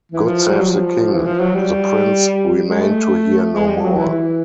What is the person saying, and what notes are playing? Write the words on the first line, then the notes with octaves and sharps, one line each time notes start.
God save the king! The prince remained to hear no more.
E3
F3
G3
F#3
F3
E3
F3
F#3
G3
G#3
A3
G#3
G3
F#3
E3
E3